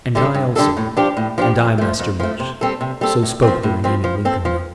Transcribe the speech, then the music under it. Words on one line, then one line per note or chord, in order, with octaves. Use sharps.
"And I also." "And I, Master Much"--so spoke the remaining Lincoln men.
D3 G3 D4 A4
G2
D3 G3 D4 A4
A2
F3 D4 G4
A2
F3 D4 G4
F2
F3 A3
F2
F3 A3
C3
G3 C4 A4
C3
G3 C4 A4
A2
C4
F3
A2
F3 C4
F3
C4 A4
F3